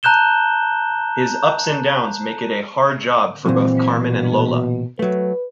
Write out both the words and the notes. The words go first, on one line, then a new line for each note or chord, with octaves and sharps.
His ups and downs make it a hard job for both Carmen and Lola.
A5 A#5 F#6 G6 E7 G7
A#2 E3 F#3 C4
B2
F#3 A3 B4